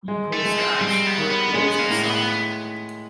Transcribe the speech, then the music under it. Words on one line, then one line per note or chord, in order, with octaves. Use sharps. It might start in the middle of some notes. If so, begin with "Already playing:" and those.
Equal stacks are placed aside.
G#3
A3
G#3
C4
C#4
G3 C4
B3
D#3
B3
G#3 B3
A#3
A2
B3